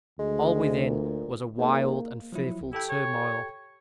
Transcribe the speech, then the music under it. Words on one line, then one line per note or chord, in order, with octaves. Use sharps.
All within was a wild and fearful turmoil.
D2 G#3
A#2
G#2 A#3
F3 F#3 E4
C2
E4 G4 A4 G5
C#5